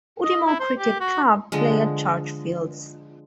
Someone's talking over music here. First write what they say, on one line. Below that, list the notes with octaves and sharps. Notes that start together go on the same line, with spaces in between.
Udimore Cricket Club play at Churchfields.
D#5
E4
C5
G4
F#4
D3 F3 G#3